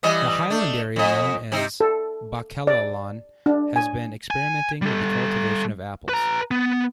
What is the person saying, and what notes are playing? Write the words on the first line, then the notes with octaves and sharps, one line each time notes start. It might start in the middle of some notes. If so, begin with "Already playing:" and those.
The highland area known as Ba'Kelalan has been experimenting with the cultivation of apples.
E3 G3 D#5
A3 D4
F2 D#5
C3 C4 D#4
A4
D5
D4
G#5
G#5
G3 A4
B4 A#5
B3